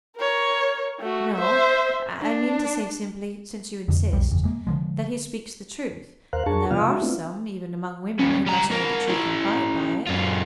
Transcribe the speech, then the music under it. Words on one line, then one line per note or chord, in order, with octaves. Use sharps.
"No, I mean to say simply--since you insist--that he speaks the truth, and there are some--even among women--who must know the truth and abide by it."
A#4 C#5
A3 F#4
C5 E5
D4
F2 D3
B1 F2 G3
F#1 E2
G#3 A#3
D3 F3 G#3
D#2 A#4 C5 F5 F#6
F2 D4 G#4 A#4 A5 C#6
C3 F3 B3 F4 F5 F6
G#3 F#4 E5
A3 B3 C4 D4 E4 F4
D#2 C#4
G3 A#5
G#3 A#4
C#4 E4
F#2 F4